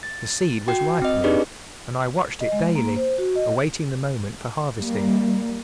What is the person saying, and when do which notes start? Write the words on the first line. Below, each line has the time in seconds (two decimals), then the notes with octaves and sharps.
The seed was ripening, and I watched it daily, awaiting the moment for harvesting.
0.03 A6
0.68 F#4 G5
1.02 C4 D#5
1.24 D4 D#4 G4 G#4 B4 D5
2.41 D#5
2.52 G#3
2.75 A#3
2.96 C5
3.18 F#4
3.36 D#5
4.77 G3 A#3